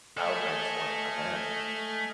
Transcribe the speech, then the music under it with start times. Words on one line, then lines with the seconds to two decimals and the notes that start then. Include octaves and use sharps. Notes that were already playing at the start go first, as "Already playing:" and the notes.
out and I just wanna come back.
0.17 A3 A4 D#5 G#5 F6